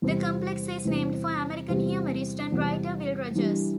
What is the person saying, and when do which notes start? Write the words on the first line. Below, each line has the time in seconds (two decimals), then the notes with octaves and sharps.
The complex is named for American humorist and writer Will Rogers.
0.02 E2 C3 G3 C4
0.85 E2 C3 G3 C4
1.69 E2 C3 G3 C4
2.52 E2 C3 G3 C4
3.35 E3 G3 D4